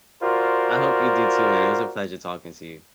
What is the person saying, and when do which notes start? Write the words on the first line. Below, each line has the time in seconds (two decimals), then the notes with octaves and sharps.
I hope you do too, man, it was a pleasure talking to you.
0.23 F4 F#4 A#4 C5 D5